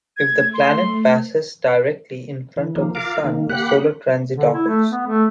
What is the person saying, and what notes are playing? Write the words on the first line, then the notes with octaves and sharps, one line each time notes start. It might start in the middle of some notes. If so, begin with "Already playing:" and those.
If the planet passes directly in front of the sun, a solar transit occurs.
A3 G#6
C6
E3
D#3 F3 A#3
F4 A#4 F5 D6
D#3 A#3
A#3 G4 F#5 B5 F#6
D3
E4
A3
B3
A3